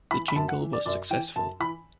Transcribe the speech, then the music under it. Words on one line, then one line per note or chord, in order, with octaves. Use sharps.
The jingle was successful.
E3 B5
B5
F#2 A5
F#5
E3
D5
F#2 D5
E3 G5
F#2 A5
E3 B5